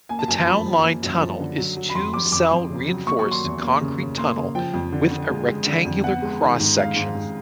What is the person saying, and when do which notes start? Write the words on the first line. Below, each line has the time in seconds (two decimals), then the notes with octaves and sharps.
The Townline Tunnel is a two-cell reinforced concrete tunnel with a rectangular cross-section.
0.09 A#3 G#5
0.19 A5
0.28 F#2 G#5
0.38 A5
0.47 F3 B5
0.66 F3
0.84 A#3
1.03 F#2
1.21 F3
1.40 D3
1.58 F#3
1.77 F#3
1.90 B5
1.95 F2 C6
2.13 F2 D6
2.32 F2 D6
2.51 F2
2.70 C#3
2.88 F#3
3.06 A#3 C#6
3.19 C#6
3.25 F#3
3.31 C6
3.44 E2
3.62 A#3
3.81 C#3
4.00 C#3
4.18 A#3 C6
4.37 C#3
4.55 F3 G5
4.74 F2
4.92 D3
5.11 D3
5.29 G#3
5.48 G#3
5.66 D3
5.85 F2
6.04 B3 F#5
6.22 G#3
6.41 D#3
6.60 G#2
6.78 G#3 F5
6.96 G#2
7.15 G#2